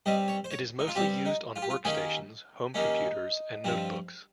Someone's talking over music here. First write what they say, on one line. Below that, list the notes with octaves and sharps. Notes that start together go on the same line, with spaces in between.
It is mostly used on workstations, home computers, and notebooks.
G2 G3 C4 D#5
C#5
C5
C#5
D#4
F4
G2 G3 C4 G4
D#4
F4
G4
F4
D#2 D#3 A#3 C#4 G#4
D#2 D#3 A#3 C#4 D#4
G2 F3 C4